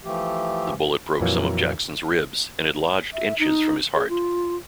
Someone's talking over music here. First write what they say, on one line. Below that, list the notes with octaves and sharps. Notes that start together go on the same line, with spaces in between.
The bullet broke some of Jackson's ribs, and had lodged inches from his heart.
E3 F3 A3 G4
F2 A#2 E3 F#3 A#3
E5
D#4
G#4
F4